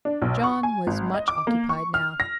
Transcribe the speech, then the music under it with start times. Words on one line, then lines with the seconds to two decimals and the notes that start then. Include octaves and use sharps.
John was much occupied now.
0.05 D4
0.22 B1
0.44 C#6
0.63 G#5
0.87 G#1
1.14 D#5
1.28 D6
1.47 A#3
1.69 C#6
1.94 F6
2.20 A#6